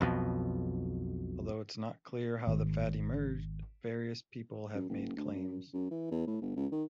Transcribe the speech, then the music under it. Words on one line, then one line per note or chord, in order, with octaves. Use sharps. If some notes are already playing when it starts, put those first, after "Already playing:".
Although it's not clear how the fad emerged, various people have made claims.
B1 F2 B2
G#1
F#2
F#1
D2
F#2
F#2
E3
E2
A2
G1
C#2
D#3